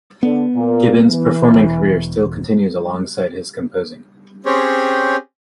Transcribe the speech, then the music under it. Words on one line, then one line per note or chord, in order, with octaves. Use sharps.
Gibbons' performing career still continues alongside his composing.
D3 B3
A#2
E3
E1
C4 C#4 G4 G#4 C5 C#5